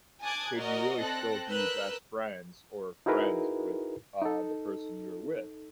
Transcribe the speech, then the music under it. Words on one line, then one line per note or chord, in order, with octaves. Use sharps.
could you really still be best friends or friends with, uh, the person you are with?
G#5 A5 D6 D#6 F#6 G#6
F#4 A#4 D5 D#5
C4 A4 F#6 A#6
A#4 B4 E6 F#6 G6
D#4 E4 F#4 G#4 A#4 B4
D#4 A4